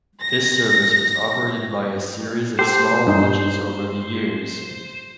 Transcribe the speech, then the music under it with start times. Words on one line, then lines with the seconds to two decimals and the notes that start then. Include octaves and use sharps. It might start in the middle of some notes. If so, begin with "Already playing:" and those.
This service was operated by a series of small launches over the years.
0.22 A#6
2.59 G4 A4 C5
3.07 G2 D#4